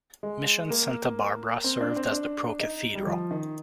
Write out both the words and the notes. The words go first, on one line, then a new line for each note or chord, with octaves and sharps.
Mission Santa Barbara served as the pro-cathedral.
G#3
A#3
C4
D4
C4
D4
D#4
G3
F3
D#3